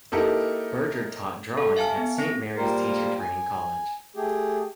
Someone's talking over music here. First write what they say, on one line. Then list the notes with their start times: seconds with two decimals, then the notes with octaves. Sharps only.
Berger taught drawing at Saint Mary's teacher training college.
0.12 A#3 D#4 E4 G4 A4 A#4
1.57 A4
1.77 E5 F5 G#5 A5 F6
1.98 B3
2.19 C4 A#6
2.56 A#2 G3 A#3 A#4 C5
3.20 G#5
4.16 A3 G4 G#4